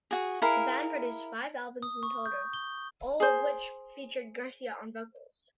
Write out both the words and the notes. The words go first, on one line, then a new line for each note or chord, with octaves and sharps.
The band produced five albums in total, all of which featured Garcia on vocals.
F#4 G#4
E4 G#4 A#4 F5
D#6
C#6
G6
G7
G#4 C5